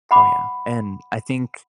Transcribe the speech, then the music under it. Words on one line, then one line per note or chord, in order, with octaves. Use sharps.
Oh, yeah, and I think,
F#5 B5 D6